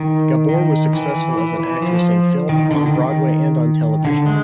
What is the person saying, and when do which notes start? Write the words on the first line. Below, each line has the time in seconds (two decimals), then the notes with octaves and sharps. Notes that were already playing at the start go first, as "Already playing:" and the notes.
Gabor was successful as an actress in film, on Broadway and on television.
Already playing: D#3
0.49 D#3
0.93 E3
1.38 E3
1.60 E3
1.82 F3
2.49 D#3
2.71 D3
2.86 D#3
3.01 D#3
4.05 D3
4.26 G#3